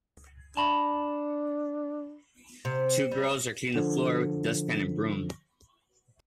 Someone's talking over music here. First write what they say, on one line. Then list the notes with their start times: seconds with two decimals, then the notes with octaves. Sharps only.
Two girls are cleaning the floor with a dustpan and broom.
0.57 D4 A5 B5
2.65 C3
3.11 G3
3.75 D3 F3